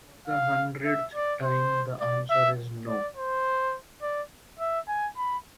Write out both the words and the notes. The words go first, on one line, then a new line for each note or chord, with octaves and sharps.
For the hundredth time, the answer is no.
F5
E5
D5
C5
D5
E5
D5
C5
D5
E5
G#5
B5